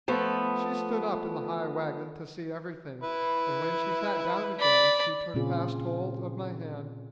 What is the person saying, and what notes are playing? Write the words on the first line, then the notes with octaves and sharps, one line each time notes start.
She stood up in the high wagon to see everything, and when she sat down again she took fast hold of my hand.
F3 A3 B3
E4 B4
D5 B5
A#2 C#3 C4 C#4 F4 G#4